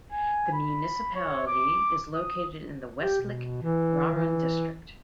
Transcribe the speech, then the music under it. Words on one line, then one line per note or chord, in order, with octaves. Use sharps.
The municipality is located in the Westlich Raron district.
G#5
B5
C#5
D6
D#6
G4
B2
E3
E3